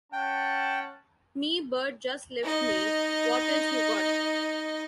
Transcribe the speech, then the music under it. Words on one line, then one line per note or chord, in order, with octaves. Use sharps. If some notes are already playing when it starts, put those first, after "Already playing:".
Me bird just left me, what else you got?
C#4 F#5 G5 A5
D#4 D#5